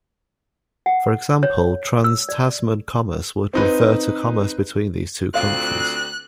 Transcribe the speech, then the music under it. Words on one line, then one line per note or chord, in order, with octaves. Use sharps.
For example, Trans-Tasman commerce would refer to commerce between these two countries.
F#5
C#5
E6
D5
C4 D#4 B4
D2 C4 F4 F5 F#6